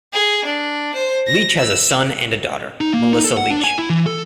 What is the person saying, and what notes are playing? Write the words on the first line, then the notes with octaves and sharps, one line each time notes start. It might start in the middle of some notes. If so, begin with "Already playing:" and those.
Leach has a son and a daughter, Melissa Leach.
G#4
D4
C5
A#6
E6
D#4
A#3
D#4
A4
F#5
D4
G#5
E4
E3
A4